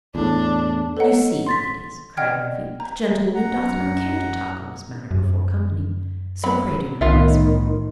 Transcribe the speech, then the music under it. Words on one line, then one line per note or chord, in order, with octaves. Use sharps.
"You see, ladies," cried Murphy, "the gentle-woman doth not care to talk on this matter before company; so pray do not press her."
E2 A2 D4
A4 B4 C#5 D#5 F#5 A#5
C6 A6 B6
D5 D#5 F#5 G5 F6 G#6
A#5
F#2 F#5 A#5
F#2
F#3 B5
C2 A2 D#3 B3 F4 E5